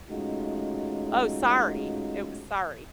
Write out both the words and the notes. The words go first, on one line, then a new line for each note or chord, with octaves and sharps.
oh, Sorry, it was Sorry.
G#3 A3 C#4 D#4 F4 F#4